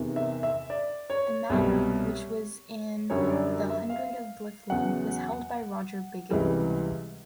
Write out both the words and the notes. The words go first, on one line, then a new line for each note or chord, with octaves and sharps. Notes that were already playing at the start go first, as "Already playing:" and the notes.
The manor, which was in the Hundred of Blythling, was held by Roger Bigot.
Already playing: E2 C3 D#3
E5
E5
D5
C#5
C2 B2 G3
F#2 D3 G3 C#5
D5
E5
F5
E2 C#3 F#3 F#5
C#2 C3 E3 G3